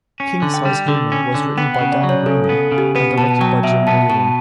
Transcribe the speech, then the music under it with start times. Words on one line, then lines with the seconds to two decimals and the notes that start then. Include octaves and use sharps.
"King-Size Homer" was written by Dan Greaney, and directed by Jim Reardon.
0.20 C#4
0.42 D3
0.54 G5
0.65 G3
0.88 D3
1.12 C#4
1.35 D3
1.58 B3 G5
1.75 F#5
1.81 C#3
1.92 D5
2.04 F#3
2.09 C#5
2.26 C#3 A4
2.44 A4
2.49 B3
2.72 C#3
2.78 G4
2.96 B3 B4
3.18 B2 A5
3.41 F#3 G5
3.63 B2 E5
3.87 B3 A5
4.10 B2 A5